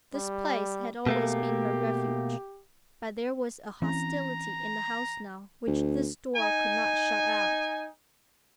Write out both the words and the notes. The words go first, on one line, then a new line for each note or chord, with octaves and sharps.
This place had always been her refuge, but there was a hostility in the house now which this door could not shut out.
G3
B2 A3 A#3 G4
E3 C4 C#4 A#5
D2
D#4 G#5